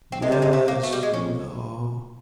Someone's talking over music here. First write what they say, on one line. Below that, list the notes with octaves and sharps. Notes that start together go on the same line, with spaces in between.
Yes, you know ...
C4
C3 G#3
G3
G#3
A3
A#3
B2 A3
G3
G#3
F2 C#4